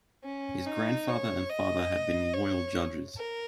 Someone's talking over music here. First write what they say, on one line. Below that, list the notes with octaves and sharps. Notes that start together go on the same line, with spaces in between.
His grandfather and father had been royal judges.
C#4
D#4
C#5
D#5
C#5
A#4